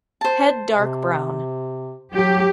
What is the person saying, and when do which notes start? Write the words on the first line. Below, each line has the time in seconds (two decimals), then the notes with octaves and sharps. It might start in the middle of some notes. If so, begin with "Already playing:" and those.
Head dark brown.
0.21 C5 A5
0.77 C3
2.13 F#3 G4